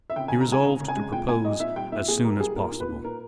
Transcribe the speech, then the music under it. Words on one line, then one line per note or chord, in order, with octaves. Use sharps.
He resolved to propose as soon as possible.
E5
C#3 G5
G#5
C#3
A#5
G#3 G#5
C#3 A#5
C#3
G#5
G#3
A#2 G5
A#2 G#5
G3 D#5
A#2 E5
G3 G5
A#2 E5
A#2 G#4
G3 A#4
G3 G#4
A#2 A#4
A#2
B4
A#2
A#2 A#4